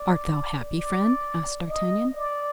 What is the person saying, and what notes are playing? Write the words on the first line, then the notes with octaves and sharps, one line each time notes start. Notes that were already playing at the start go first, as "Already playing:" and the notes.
"Art thou happy, friend?" asked D'Artagnan.
Already playing: D5
D5
D#5
D5